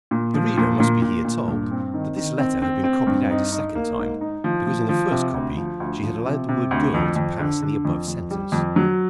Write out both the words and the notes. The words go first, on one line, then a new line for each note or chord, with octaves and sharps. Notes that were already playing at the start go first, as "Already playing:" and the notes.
The reader must be here told that this letter had been copied out a second time because in the first copy she had allowed the word girl to pass in the above sentence.
A#2
F3
A#2
A#2
A#2
A#2
G2
C4
D#3
D#3
C4
C4
C4
G2
D#4
D#4
A#3
G#2
D#4
F3
F3
F3
C3
D2
F3
D2
F3
C3
C3
D2
F2
F2
D3
D3
F2
F2
G3
F2
F#3